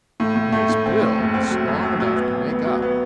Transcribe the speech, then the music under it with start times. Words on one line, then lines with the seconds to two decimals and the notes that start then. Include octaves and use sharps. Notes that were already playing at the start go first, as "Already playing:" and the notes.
But his bill was long enough to make up.
0.20 A2
0.36 A2
0.52 A3
0.69 A2
0.86 C4
1.02 A2
1.18 F#1
1.34 C4
1.51 F#3
1.68 F#2
1.84 F#3
2.00 F#3
2.16 B3
2.33 A1
2.48 B3
2.66 F#3
2.82 B3